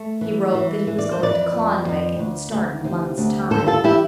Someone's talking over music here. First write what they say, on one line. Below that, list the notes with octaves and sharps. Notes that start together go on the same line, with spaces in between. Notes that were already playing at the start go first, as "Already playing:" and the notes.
He wrote that he was going to Klondike and would start in a month's time.
Already playing: A3
E3
E3
E3
D5
C5
F2 B4 D5
F2
F2
D2
D2
C3
D2
G3 A4 C5
F4 A4
E3 E4 G4